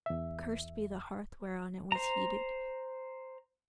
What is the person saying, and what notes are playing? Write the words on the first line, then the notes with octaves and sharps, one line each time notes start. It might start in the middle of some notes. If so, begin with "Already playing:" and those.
Cursed be the hearth whereon it was heated!
E2 E5
C5 A#5